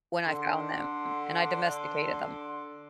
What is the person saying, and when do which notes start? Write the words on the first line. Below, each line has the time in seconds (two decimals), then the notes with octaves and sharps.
when I found them and I domesticated them.
0.25 D3 C6